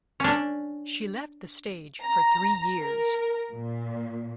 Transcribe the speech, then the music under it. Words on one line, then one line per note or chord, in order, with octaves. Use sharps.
She left the stage for three years.
C#4 D4
A#5
A#4
A#2